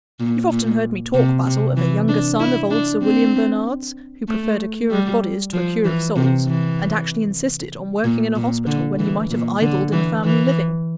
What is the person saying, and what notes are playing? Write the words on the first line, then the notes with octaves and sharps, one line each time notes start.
You've often heard me talk, Basil, of a younger son of old Sir William Bernard's, who preferred a cure of bodies to a cure of souls; and actually insisted on working in a hospital when he might have idled in a family living.
A#2
A#2
C3
C3
E3
D4
E4
D4
C4
A3
G3
F3
E3
C3
E3
A#2
A#2
D3
E3
A#2
D3
E3
E3